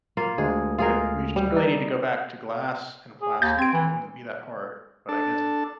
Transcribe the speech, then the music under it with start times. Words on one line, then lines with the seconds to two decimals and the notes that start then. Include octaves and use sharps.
I we just really need to go back to glass and plastic. It wouldn't be that hard, but I guess
0.17 A#3 F4
0.38 D2 G#3 G#4
0.78 F4 G#4 A#4
1.36 G3
1.56 D#4 D5
3.22 G#4
3.42 D#2 G6 A6
3.59 C4 G#6 D7
3.74 E3
5.09 D4 A4 A5